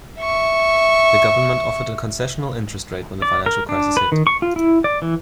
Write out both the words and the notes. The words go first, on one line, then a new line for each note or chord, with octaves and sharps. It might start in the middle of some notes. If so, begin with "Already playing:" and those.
The government offered a concessional interest rate when the financial crisis hit.
E5 C#6
D5
A#4
D4
B4
D#3
C#6
F4
E4
D5
E3